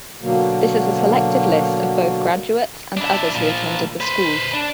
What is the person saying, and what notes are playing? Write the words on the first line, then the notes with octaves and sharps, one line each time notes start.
This is a selective list of both graduates, and others who attended the school.
B2 D3 F#3 A#3
D4 E4
A#2 F3
B4 C5
D4